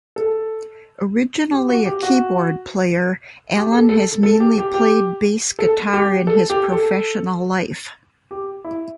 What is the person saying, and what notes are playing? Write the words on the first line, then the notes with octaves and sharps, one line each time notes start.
Originally a keyboard player, Alan has mainly played Bass Guitar in his professional life.
A4
G4
F#4
G4
F#4
G4
A4
A4
A4
G4
G4
G4
A4
G4
A4
G4
A4
G4
E4